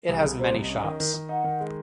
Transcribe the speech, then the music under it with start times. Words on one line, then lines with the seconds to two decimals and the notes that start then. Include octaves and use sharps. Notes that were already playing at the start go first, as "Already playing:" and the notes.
It has many shops.
0.08 C2
0.16 G#4
0.24 C2
0.38 C3 C5
0.54 C2
0.62 D#5
0.69 C#4
0.84 D#3
1.00 D#3
1.14 D#3
1.29 D#4 F#5
1.44 D#3
1.61 G#3